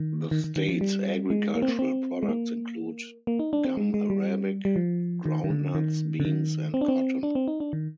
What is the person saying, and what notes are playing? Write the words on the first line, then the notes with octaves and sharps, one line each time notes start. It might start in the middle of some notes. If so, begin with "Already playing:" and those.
The state's agricultural products include gum arabic, groundnuts, beans, and cotton.
Already playing: D#3
D#3
D#3
D#3
F3
G3
G#3
A#3
C4
A#3
C4
G#3
A#3
A#3
D#4
D4
C4
G#3
G#3
G3
G3
F3
D#3
D#3
D3
D#3
D3
D#3
C4
D4
C4
D4
C4
D#4
D4
D#3